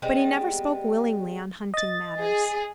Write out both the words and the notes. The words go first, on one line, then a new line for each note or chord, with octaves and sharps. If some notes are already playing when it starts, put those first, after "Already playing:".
But he never spoke willingly on hunting matters.
G3 G#3 B3 C4
D#5 A6
G#4